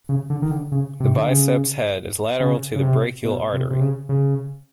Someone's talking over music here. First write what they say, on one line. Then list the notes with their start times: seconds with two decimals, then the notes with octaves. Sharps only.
The biceps head is lateral to the brachial artery.
0.09 C#3
0.30 D3
0.42 D#3
0.51 D3
0.72 C#3
1.00 C3
1.17 D3
1.28 C#3
2.40 C#3
2.76 C#3
2.83 C3
3.25 B2
3.53 C3
3.71 C3
3.81 C#3
4.09 C#3